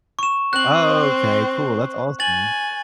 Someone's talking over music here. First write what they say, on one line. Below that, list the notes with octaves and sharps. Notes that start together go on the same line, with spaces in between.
Oh, okay, cool. That's awesome.
C#6 E7
C4 C5 F#6 F#7
G#5 A6 F#7